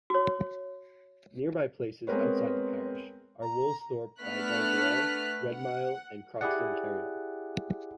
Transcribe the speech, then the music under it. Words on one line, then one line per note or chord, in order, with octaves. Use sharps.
Nearby places outside the parish are Woolsthorpe by Belvoir, Redmile, and Croxton Kerrial.
F#4 C#5
G#3 B3 C4 A#4 B4 C#5
A#5
A3 B3 D4 F6 F#6 B6
F#5
E4 G4 G#4 D5 F#5